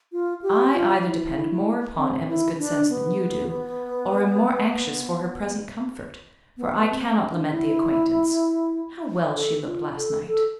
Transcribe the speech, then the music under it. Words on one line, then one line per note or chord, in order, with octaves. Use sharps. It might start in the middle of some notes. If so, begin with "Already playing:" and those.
"I either depend more upon Emma's good sense than you do, or am more anxious for her present comfort; for I cannot lament the acquaintance. How well she looked last night!"
F4
G4
F4
E4
C4
E4
D4
B3
B3
C4
D4
E4
A4
F4
A4
A4